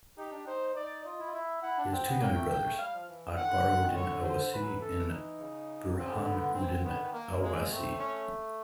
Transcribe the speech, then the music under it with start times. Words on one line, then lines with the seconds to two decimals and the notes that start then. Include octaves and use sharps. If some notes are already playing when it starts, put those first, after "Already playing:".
He has two younger brothers, Akbaruddin Owaisi and Burhanuddin Owaisi.
0.17 D#4 G4
0.31 D4
0.45 D#4 C5
0.75 D#4 D5
1.04 F4 D#5
1.19 E4
1.27 F4
1.33 E4 E5
1.62 E4 F#5
1.78 D4
1.91 C4 G5
2.06 B3
2.20 A#3 G5
2.35 A3
2.49 A#3 G5
2.64 A3
2.78 G3 F5
2.93 F3
3.08 E3
3.36 D#3 F#5
3.46 D3
3.55 C#3
3.65 D3
3.80 D#3
3.94 D3 C#5
4.23 C5
4.51 E3 B4
4.62 F#3
4.71 E3
4.81 A4
5.10 D#4
5.39 C#3
5.92 D3
5.96 C#3 C4
6.11 D3
6.26 B3
6.54 E3 C4
6.69 D3
6.84 D#3 B3
6.92 D3
7.01 D#3
7.13 A#3
7.27 E3
7.41 G#3 A#3
7.70 A3 C4
7.99 C#4